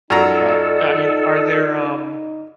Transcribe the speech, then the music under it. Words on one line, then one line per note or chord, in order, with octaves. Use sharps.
but I mean, are there, um
F#2 D#4 F4 A4 D5 A#5